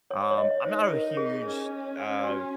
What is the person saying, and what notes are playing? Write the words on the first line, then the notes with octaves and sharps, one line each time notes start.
um, I'm not a huge, t uh
C#5
C#5
D#5
D#4 C5
A#4
G#4
C#4
F#4